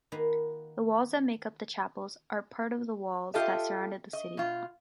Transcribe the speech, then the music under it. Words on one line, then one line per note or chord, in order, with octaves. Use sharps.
The walls that make up the chapels are part of the walls the surrounded the city.
D#3 A#3 D#4 F4 F#4 B4
F4 G4 A4 D#5 E5
D#5
B2 F4